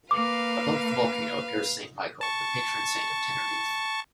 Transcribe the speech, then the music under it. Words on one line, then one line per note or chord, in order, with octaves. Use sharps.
Above the volcano appears Saint Michael, the patron saint of Tenerife.
A#3 B4 F5 D6
A5 C#6